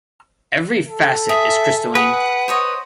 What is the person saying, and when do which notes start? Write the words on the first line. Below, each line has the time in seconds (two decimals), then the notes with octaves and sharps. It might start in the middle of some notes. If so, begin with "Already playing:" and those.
Every facet is crystalline.
0.87 A4
1.29 G#4 E5
1.95 G#4 B4 F#5
2.48 C5 C#5 D#5